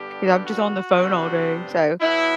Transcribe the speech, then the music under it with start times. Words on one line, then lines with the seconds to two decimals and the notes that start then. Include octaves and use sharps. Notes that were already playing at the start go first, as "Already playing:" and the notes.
goes, "I'm just on the phone all day." So
Already playing: G2 D3 G3 B3 D4 G4
0.45 F#4
0.97 C3 G3 B3 D4
2.01 B2 F#3 B3 E4